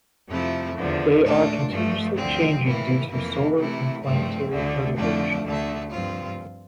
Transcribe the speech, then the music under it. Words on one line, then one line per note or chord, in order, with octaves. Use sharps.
They are continuously changing due to solar and planetary perturbations.
F2 C3 F3 A3 E4
E2 D3 F3
A#2 A3 D4
G2 F3 A3
D2 D3 F3 C4
A2 E3 A#3 E4
F2 E3 A#3 E4
C3 E3 A3 E4
G2 F3 A3 C4
D2 D3 A3
F2 D3 F3 A3 D4
D2 D3 A3
G2 F3 C4 F4